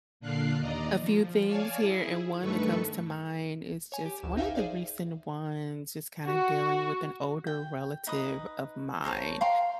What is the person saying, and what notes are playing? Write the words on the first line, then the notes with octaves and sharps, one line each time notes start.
a few things here, and one that comes to mind is just one of the recent ones is kinda dealing with an older relative of mine.
A#2 D3 D4 F5 F#6 C7
D#2 D5 D#5 A#5
F3
C#5 D5 F5 G#5 A5
E4 G#4
G2 D#3 A3 A4 B4 C#6
C#5 G#5
G4
A1 D2 E7
D#4 E5 F5 G5 G#5
G#4 C5 D5 F5
F#4
G5
D#4 B4 D#6
A#4 C5 C#5 A5
F5 G5 A#5 C6